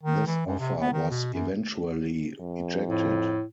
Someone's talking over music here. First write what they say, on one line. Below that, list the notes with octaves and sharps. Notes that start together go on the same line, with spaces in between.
This offer was eventually rejected.
D#3
E3
F#2
C3
B3
D#3
B2
F#2
F2
A2